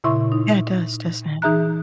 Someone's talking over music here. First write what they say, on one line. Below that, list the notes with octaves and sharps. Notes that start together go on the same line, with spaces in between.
Yeah, it does, doesn't it?
A#2 C#3 E4 E5 C6 C#6
D#4
E3 D#4 G#4 E5 A#5 F#6